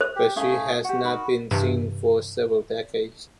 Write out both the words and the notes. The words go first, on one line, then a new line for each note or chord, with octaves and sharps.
But she has not been seen for several decades.
C5
G4
A3 C#4 E4 G#4 F5
F#4 G4 F#5
D#4 A#4 B5
G2 C3 E3